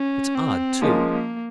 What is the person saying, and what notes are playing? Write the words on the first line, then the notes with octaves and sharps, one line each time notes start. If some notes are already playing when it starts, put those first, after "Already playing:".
It's odd, too.
Already playing: C#4
C4
F3 G#3 A#3 C#4 F4 A#4
A#3